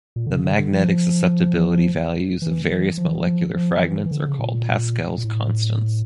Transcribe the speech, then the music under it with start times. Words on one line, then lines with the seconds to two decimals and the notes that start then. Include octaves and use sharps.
The magnetic susceptibility values of various molecular fragments are called Pascal's constants.
0.16 A#2
0.27 D3
0.30 C#3
0.44 D3
0.58 D3
0.72 F3
2.42 E3
2.70 E3
2.98 F3
3.08 E3
3.17 F3
3.55 F3
3.83 E3
4.06 E3
4.11 D3
4.28 C#3
4.39 A#2
5.18 A#2
5.24 A2